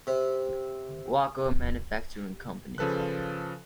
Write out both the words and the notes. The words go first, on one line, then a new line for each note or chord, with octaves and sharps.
Walker Manufacturing Company.
C3
C#3 F3 A4 B4 F#6